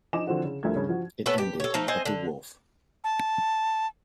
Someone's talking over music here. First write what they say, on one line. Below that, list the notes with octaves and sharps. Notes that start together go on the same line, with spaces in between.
It ended at the wharf.
F3 D#4 G#5 D6 E7
D3 F3 C4 E4 F#4
C#3
D2 F3 G3 A3 A#4 G#6
G2 C#3 C#4
F3 F#4
A3 B3 C#4 A4
G4
A4 C#5
F3 A3 D#4
C4 C5 D#5 G#5
D3
A5